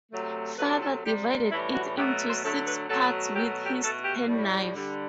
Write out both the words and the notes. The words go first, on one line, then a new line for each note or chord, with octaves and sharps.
Father divided it into six parts with his penknife.
C3 F#3 A3
C3 F#3 A3 B4
A4
C3 G3 G4
A2 E3 G3 E4
F#4
B2 F#3 A3 G4
C5
D3 F#3 A3 A4
B4
B2 F#3 A3 A4
B2 F#3 A3 G4
G4
B2 A3 A4
G4
A2 G3
E4
D3 G3